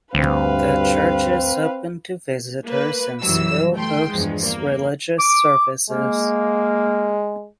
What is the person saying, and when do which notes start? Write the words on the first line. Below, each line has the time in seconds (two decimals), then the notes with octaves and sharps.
The church is open to visitors and still hosts religious services.
0.15 D2 G2 C4 B4 F5
2.66 A#3 B4
3.22 B1 F#2 E3 F#3 G3 E6
3.74 A3 G5 C6
4.11 E2 G2 F3 G#3
4.46 A#3
5.18 D6
5.90 G#3 A#3